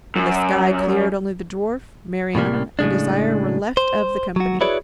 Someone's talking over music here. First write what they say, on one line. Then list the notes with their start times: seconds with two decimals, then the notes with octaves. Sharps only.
When the sky cleared, only the dwarf, Marianna, and Desire were left of the company.
0.16 F#2
2.35 A2 C3 G3 A#3
2.79 A2 C#3 G#3 D4
3.77 C5
4.36 F#3 F#4
4.61 E4 F#4 G#4 B4 C#5 D5